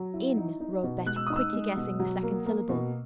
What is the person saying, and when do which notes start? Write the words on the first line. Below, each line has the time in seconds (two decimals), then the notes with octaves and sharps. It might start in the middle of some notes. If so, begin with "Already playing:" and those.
"Inn" wrote Betty, quickly guessing the second syllable.
Already playing: F#3
0.14 E4
0.37 D#4
0.60 D#4
0.83 B2
1.06 G#3 F#6
1.16 E6
1.27 D#4 D#6
1.36 E6
1.53 G#3
1.76 B2
1.99 F#3
2.23 A#3
2.46 A#3
2.69 B2